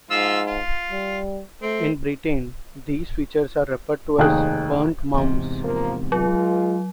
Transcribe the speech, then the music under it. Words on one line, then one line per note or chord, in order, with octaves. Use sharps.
In Britain these features are referred to as 'burnt mounds'.
G#2 F3 F4 E6
F4
G3
A3 C4
F1 D#2 D#4 G#4 G5 F#6
E2 G#2 C3
F3 A#3 A#4
F#3 G#3 F4